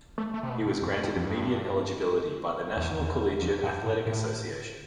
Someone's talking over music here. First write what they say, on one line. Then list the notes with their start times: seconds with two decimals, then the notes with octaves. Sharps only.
He was granted immediate eligibility by the National Collegiate Athletic Association.
0.18 A3
0.34 A3
0.43 C3
0.49 B2
0.66 G2
0.82 F2
1.04 G2
1.16 F2
1.25 G2
2.77 E2
2.99 E2
3.42 F2
3.63 G2
3.85 A2
4.06 A2